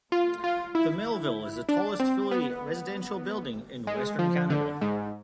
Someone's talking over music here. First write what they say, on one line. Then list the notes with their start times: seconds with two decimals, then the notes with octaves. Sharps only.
The Melville is the tallest fully residential building in western Canada.
0.12 F4
0.44 F4
0.75 E4
1.69 D4
2.00 C4
2.31 B3
3.87 G#3
4.19 F3
4.50 D3
4.81 G#2